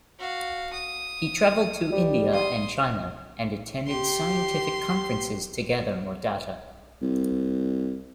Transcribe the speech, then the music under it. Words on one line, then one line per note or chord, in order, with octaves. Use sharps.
He traveled to India and China and attended scientific conferences to gather more data.
F#4 F5
D#6
G3
C6 D#6
G4 C6
C2